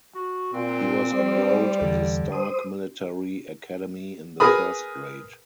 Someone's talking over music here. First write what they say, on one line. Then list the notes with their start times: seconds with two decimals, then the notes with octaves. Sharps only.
He was enrolled in the Stark Military Academy in the first grade.
0.15 F#4
0.53 A#2 C4
1.12 G3 C5 D5
1.81 E2 D3
2.32 C5 D#6
4.40 G#4 A#4 B4 B5 D#6